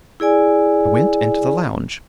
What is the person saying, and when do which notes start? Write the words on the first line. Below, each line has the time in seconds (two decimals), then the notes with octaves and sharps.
I went into the lounge.
0.20 E4 G#4 D5 G#5